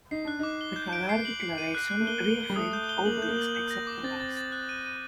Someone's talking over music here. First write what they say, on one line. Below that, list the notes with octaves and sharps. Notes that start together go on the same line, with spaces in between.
The Harare Declaration reaffirmed all these except the last.
D#4 C7
D4 F#6
D#4 D6
G7
G6
D7
C7
F#7
C7
D#7
F#6
F#6
A3
A#3 G7
G7
G7
G3
A3 D#6
G6
G7
A#3 F#7
A3
G6
A#3
F#7
G6
A#6
D6
C4 A6
A6
A6
F#6
D#7
D#7